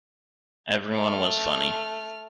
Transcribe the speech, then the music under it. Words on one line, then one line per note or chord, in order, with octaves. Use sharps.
Everyone was funny.
A3 F6